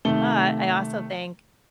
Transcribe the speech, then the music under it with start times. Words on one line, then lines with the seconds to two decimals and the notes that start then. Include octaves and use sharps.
but, I also think
0.05 C3 D#3 A3 G7